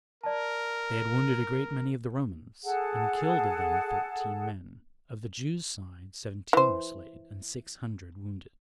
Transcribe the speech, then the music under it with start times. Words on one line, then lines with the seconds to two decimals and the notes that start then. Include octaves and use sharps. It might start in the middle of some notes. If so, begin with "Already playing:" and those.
They had wounded a great many of the Romans, and killed of them thirteen men; of the Jews' side seventeen were slain, and six hundred wounded.
0.23 A#4 D5 A5
2.63 G#4 A4 F#5 A5
6.53 E3 C5